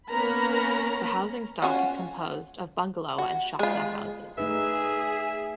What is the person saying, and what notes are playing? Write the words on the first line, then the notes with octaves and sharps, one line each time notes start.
The housing stock is composed of bungelow and shotgun houses.
A#3 B3 C#4 A#4 A#5 B5
C#4 F4 F#4
F#4
G#3 F4
A3 D#4 G#4 B4 E5